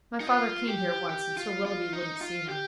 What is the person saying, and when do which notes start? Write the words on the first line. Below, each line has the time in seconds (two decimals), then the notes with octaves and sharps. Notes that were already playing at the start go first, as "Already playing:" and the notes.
My father came here once, and Sir Willoughby wouldn't see him.
0.20 D#4
0.26 F4
0.68 G4
1.09 G4
1.37 F4
1.65 F4
1.93 D#4
2.21 F4
2.49 G4